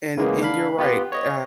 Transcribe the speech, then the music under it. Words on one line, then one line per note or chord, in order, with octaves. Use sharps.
and and you're right, eh, uh,
C#3 E3 G#3 A#3 B3
D4 F5 B5
B3 F4 G4 B4
C#5 D#5